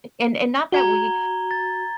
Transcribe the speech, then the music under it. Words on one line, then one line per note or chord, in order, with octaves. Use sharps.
and and not that we
F#4 A#5 G#6 G7
A6